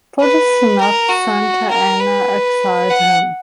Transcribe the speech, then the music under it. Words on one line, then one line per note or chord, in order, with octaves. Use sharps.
For this snub, Santa Anna exiled him.
B4
A#4
F#4
A#4
B4
F#5